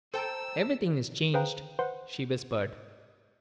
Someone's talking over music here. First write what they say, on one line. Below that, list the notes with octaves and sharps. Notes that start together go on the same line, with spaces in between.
"Everything is changed," she whispered.
A4 C5 G5 A5 A#5 E6
G#4 B4 C5 F5 G5 A#5
B4 C5 F#5 C6